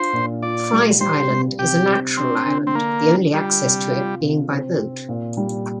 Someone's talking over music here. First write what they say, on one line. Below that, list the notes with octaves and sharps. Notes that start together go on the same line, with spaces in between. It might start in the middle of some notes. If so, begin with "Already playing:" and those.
Fry's Island is a natural island, the only access to it being by boat.
Already playing: D4 F4 C5
A#2
F4 D5
G3
G3 C5
G3
C3 G4
C3
C4 D4
D3
C4
A#3 D4
D3
G3 F4
C3
F4
C3
C4
C4
A#2
G3